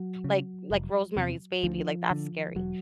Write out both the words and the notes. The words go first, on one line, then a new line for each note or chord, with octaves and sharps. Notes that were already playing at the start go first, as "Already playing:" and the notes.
like like, Rosemary's Baby, like, that's scary,
Already playing: F#3
C#3
F1
E2 C3
D2 F3
D3
E1 F#3